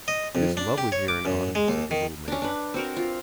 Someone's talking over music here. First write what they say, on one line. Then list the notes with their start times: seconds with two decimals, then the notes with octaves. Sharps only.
"It is lovely here in autumn!" said the little maiden.
0.08 D#5
0.35 F2
0.57 D4
0.78 G4
0.92 C#5
1.08 D6
1.26 F#2
1.55 G#3
1.68 D#2
1.91 D#3
2.28 C#4 D4
2.42 D4 B4
2.74 C4 F#4 A#4
2.97 F4